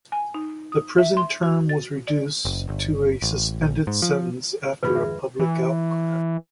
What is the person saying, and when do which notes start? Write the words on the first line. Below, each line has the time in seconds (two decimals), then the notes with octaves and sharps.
The prison term was reduced to a suspended sentence after a public outcry.
0.12 G#5
0.34 D#4
0.72 D#6
0.98 E5
1.17 C6
1.43 F#4
1.69 A6
2.07 D5
2.45 F#1
2.69 G1
3.22 A1
3.61 A#1
3.87 G#2
4.02 F3
4.83 G#1 F2 G#4 B4 B5
4.95 E5
5.39 E3